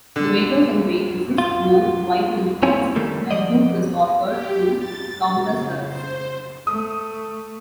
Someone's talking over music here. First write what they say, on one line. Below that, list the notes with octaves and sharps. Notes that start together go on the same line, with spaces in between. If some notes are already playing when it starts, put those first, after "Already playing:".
The waiters and waitresses wore white uniforms, and food was offered through counter service.
D3
F4
C4 C#4 E4 C#5 G#5
D#3 G3 A3 A#3 A4
F3 D5 D#5
G4
A6
C#3
C5
A3 D#6